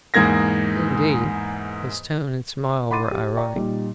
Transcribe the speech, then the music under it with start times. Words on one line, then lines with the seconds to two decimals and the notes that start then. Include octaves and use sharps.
"Indeed." His tone and smile were ironic.
0.14 E2 G#2 A#3 G#6 A#6
2.90 F#5 B5 C6 D6 A6 D#7
3.11 G4
3.37 D5 G5 A#5 C#6
3.56 A#2 G3 D#4